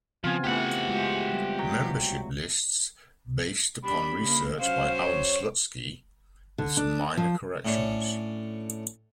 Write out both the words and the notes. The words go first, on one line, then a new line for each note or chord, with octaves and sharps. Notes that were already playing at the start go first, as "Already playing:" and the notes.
Membership lists based upon research by Allan Slutsky, with some minor corrections.
C#3 F3 B3 C4 F4 G#5
C3 E3 A3 B3 F4 G4 F#5
G#3 F4 F#4
G3
F#3
G3 D4 B5
C#3 A#3
F#3 C#4 C5 F5
C#5
D3
D4
F3
A2 C#4 D4